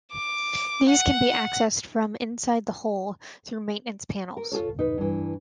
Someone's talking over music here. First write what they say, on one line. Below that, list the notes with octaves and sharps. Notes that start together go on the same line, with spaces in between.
These can be accessed from inside the hull through maintenance panels.
D6
F#5
A#4
F4 G#4 A4 C#5
D#4 B4
G2 E3